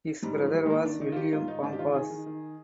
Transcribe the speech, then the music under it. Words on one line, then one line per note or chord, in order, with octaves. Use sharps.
His brother was William Bompas.
G#2 G3
D#3 F3
G#2 G3
G#3
D#3 A#3
D#3 D4
D#3 D#4
F4
D#3 G4
G#2 F4
D#3 D#4
G#2 D4
G4
D#3 F4
D#3 G#4
D#3
D#3